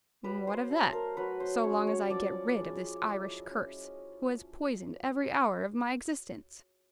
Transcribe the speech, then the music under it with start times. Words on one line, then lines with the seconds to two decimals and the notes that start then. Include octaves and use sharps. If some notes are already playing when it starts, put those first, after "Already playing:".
What of that, so long as I get rid of this Irish curse, who has poisoned every hour of my existence!
0.24 F#3 B4
0.47 C5
0.70 A3 A4
0.93 A#4
1.17 F#3 B4
1.40 C5
1.63 C#4 C#5
1.87 C#5
2.10 F3 D5
2.57 G#3
3.03 E4 D#5
3.50 C#4